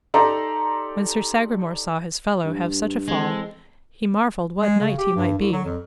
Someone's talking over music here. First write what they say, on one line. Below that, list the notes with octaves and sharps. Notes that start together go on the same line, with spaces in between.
When Sir Sagramore saw his fellow have such a fall he marvelled what knight he might be.
D#4 G4 A4 D5 A#5 C6
G2
E3 G#3 C4 A4
G#3
C#3
G4
G2
C2
F#3
F2